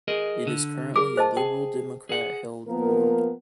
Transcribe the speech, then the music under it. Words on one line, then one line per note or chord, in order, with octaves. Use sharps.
It is currently a Liberal Democrat held ward.
G#4 A#4 D#5
D3
G#4 A#4 D6
C5 D#5 A5
G#4 G5
G#4 F#5
F3 A#3 B3 A#4